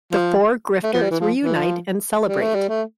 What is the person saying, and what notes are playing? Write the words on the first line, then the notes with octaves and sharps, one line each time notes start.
The four grifters reunite and celebrate.
F3
A3
B3
G3
E3
F3
E3
F3
G3
A3
G3
A3